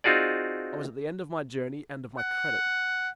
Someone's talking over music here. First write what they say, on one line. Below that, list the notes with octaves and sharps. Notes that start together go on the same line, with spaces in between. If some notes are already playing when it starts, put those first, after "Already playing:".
I was at the end of my journey and of my credit.
C4 D#4 F4 F#4 G#4 D5
F#5